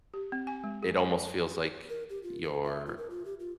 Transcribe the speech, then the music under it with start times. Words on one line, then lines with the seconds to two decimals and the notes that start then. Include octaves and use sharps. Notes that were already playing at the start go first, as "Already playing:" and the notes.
"it almost feels like you're
0.14 G4
0.32 C4
0.47 G#5
0.64 G#3
0.83 G#4
0.97 G#5
1.10 D5
1.89 A#4
2.10 G4
2.23 F4
2.43 A4
2.64 E5
2.86 F4
2.98 A#4
3.10 F4
3.25 G4
3.40 F4